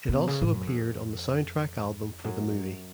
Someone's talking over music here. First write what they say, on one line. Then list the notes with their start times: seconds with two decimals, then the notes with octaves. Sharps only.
It also appeared on the soundtrack album for the movie.
0.09 B2
0.27 C#3
0.42 A2
0.54 F#2
0.67 F2
2.24 F#2